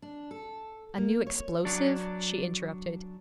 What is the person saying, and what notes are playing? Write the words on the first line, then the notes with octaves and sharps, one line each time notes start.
'A new explosive?' she interrupted.
D4
A4
A#3
C#5
F#3 D4